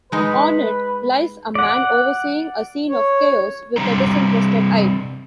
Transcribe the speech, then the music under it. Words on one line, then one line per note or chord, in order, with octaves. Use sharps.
On it lies a man overseeing a scene of chaos with a disinterested eye.
G#3 D#4 B4
D5 F#5
C#5
C3 G3 C4 D4 C5 A#5